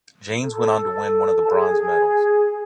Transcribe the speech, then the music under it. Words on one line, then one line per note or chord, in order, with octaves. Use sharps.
Jaynes went on to win one of the bronze medals.
A4
A5
G#4